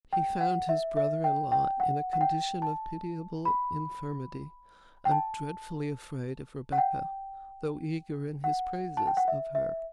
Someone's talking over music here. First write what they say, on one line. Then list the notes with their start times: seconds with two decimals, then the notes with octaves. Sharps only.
He found his brother-in-law in a condition of pitiable infirmity--and dreadfully afraid of Rebecca, though eager in his praises of her.
0.13 G5
0.41 F#5
0.69 E5
0.97 E5
1.24 G5
1.52 G5
1.80 F#5
2.13 F#5
2.21 G5
2.62 A5
3.45 B5
5.05 G5
5.11 A5
6.72 F#5
6.78 G5
8.44 F#5
8.97 A5
9.07 G5
9.17 F#5
9.28 E5
9.55 E5